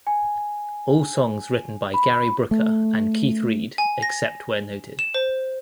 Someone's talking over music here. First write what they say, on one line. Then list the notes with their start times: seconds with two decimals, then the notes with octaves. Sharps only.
All songs written by Gary Brooker and Keith Reid except where noted.
0.07 G#5
1.94 B5
2.51 A3
3.78 G#5
4.02 A#6
4.99 E7
5.14 C5